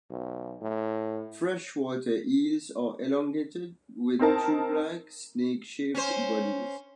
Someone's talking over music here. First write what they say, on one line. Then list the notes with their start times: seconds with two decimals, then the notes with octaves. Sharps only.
Freshwater eels are elongated with tubelike, snake-shaped bodies.
0.10 B1
0.61 A2
4.19 C4 D#4 A#4 A5
5.95 C#4 C5